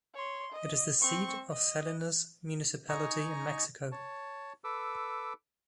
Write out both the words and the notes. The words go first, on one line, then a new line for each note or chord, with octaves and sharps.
It is the seat of Salinas municipality in Mexico.
C#5 C6
D#5
C4 C#6
D#5
D#4 D#5 G#5 A#5 C#6
C#5 A5
A4 B4 D6 E6